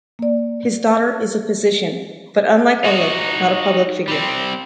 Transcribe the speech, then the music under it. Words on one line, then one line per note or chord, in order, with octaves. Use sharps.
His daughter is a physician, but unlike Oleg not a public figure.
A#3 D5
D#4 F#4
G3 C4